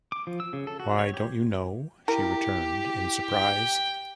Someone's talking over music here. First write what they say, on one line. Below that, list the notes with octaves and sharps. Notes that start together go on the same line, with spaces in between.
Why, don't you know? she returned, in surprise.
D6
F3
E6
C#3
A4
F#4
C#5
G4
E4 G4 A#4
G5